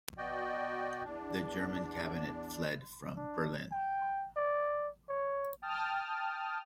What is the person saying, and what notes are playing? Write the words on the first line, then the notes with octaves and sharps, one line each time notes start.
The German cabinet fled from Berlin.
B2 F#4 D5 D#5 G5
E2 D4
D4
G5
D5
C#5
G5 A5 D#6 F6